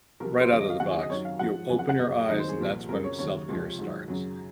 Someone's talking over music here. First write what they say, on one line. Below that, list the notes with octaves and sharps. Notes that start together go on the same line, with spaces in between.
Right out of the box, you open your eyes, and that's when self-care starts.
C2 C3 F3 A#4
C5
D#2 C#3 F#3 C#5
D#5
F5
D#2 C#3 F#3 F#5
G#5
D#5
F#2 D#3 F#3 C#5
F5
G#2 F3 F#5
F2 C#3 F#3 G#5
F#5
F#5
F#2 C#3 F#3 D#5
D#2 D#3 F#3 D#5
C5
G#4
C2 A#2 F3
F#2 C#3 F#3 A#4
C#5
D#2 C#3 F#3 C#5
C#2 C3 F3
G#2 D#3 F#3
F#2 C#3 F#3